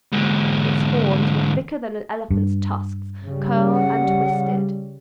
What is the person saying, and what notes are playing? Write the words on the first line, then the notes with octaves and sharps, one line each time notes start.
Its horns were thicker than an elephant's tusks curled and twisted.
G#2 D3
G2
C#3 G3
F#5